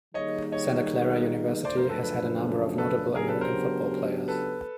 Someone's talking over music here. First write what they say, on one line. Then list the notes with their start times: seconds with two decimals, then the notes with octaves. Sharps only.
Santa Clara University has had a number of notable American football players.
0.14 D#3 G3 A#3 D#4 G#4 C#5 D#5
0.52 C#5 D#5
1.64 F#2 C#3 F3 A3 D4 C5 D5
1.77 A#4 C5
1.89 A4 B4
2.03 A4 B4
2.78 A4 B4
3.15 C#3 F#3 B3 D4 G4 G#4 A#4
3.28 A4 B4
3.41 A#4 C5
4.28 A4 B4